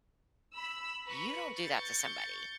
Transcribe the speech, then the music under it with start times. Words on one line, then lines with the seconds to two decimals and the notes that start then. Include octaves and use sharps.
you don't do that to somebody.
0.54 B5 E6
1.06 B4 A#5 B5 C#6
1.56 C#6 G6 A6 C#7